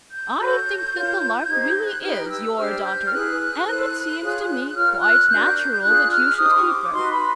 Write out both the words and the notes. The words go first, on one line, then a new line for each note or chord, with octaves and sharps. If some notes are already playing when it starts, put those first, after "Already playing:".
I think that the Lark really is your daughter, and it seems to me quite natural that you should keep her.
G6
F#4 A4 C#5 G6
F4 A#4 C#5
D#4 G4 C5 G#6
G6
F#6
D#4 G4 B4 F6
E6
D4 G4 C5 F6
G6
F6
E4 G#4 B4 F#6
E4 A4 C5
F4 G#4 C#5
F4 A#4 C#5 F6
F6
F#6
D4 F#4 A#4 G6
F#6
G6
G6
D4 F4 G#4 F#6
F6
D#4 G4 C5 D#6
C6
C#6
D6
D#4 F#4 B4 C6
B5